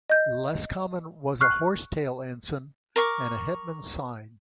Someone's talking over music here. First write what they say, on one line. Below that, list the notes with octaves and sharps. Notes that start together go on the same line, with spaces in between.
Less common was a horse-tail ensign and hetman's sign.
D#5 G6
C#6 F6 F#6 C7
A#4 C#6 D6